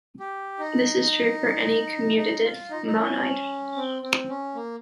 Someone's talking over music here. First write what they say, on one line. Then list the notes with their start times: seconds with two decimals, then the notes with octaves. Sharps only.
This is true for any commutative monoid.
0.20 G4
0.59 D#4
2.17 D#4
2.44 F4
2.70 D#4
2.86 D#4
2.97 C#4
3.76 C4
4.02 C4
4.29 C#4
4.55 A#3